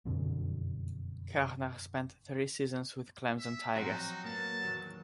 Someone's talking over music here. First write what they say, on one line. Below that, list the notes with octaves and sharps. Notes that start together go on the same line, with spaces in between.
Koerner spent three seasons with Clemson Tigers.
F#1 F2 B2 D3
E5
F3 F#3 C4 D#4 F#4
A#3 B3 A5
E2 D#3 F#3